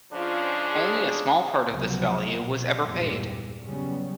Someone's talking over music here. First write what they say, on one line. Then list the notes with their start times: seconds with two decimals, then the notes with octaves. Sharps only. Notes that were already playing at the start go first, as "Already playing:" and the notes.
Only a small part of this value was ever paid.
0.13 G#2 C#3 F3 D4 F4
0.70 G#4
1.68 C#2 F#2 C3 F3 F#3 B3
2.40 B2
2.82 G#1 E2 G2 A#2 G3
3.63 C#3 F#3 G3 B3 C#4